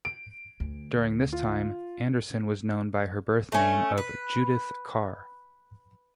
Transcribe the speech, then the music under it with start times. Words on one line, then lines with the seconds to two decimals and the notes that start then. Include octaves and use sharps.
During this time, Anderson was known by her birth name of Judith Carr.
0.05 D7
0.60 D2
1.33 F4
3.52 A3 C#4
3.98 B4